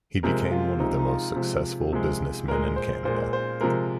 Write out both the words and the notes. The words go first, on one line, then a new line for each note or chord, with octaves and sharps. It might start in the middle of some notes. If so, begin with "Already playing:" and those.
He became one of the most successful business men in Canada.
C3 F3 G#3 A#4
F4
C3 F3 G#3 D#4
D#4
F4
C3 F3 G#3
C3 F3 G#3
A#2 G#3 A#4
C5
A#2 G#3 C5
C5
C3 F3 G#3 A#4